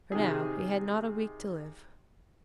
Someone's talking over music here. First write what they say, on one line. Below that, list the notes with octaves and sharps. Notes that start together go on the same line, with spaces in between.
For now he had not a week to live.
C3 D#3 G#4